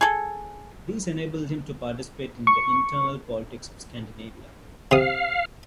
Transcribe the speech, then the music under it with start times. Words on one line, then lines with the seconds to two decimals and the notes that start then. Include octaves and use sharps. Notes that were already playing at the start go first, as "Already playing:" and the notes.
These enabled him to participate in the internal politics of Scandinavia.
0.01 G#4 A4
2.47 C#6
4.91 C3 F5 D#6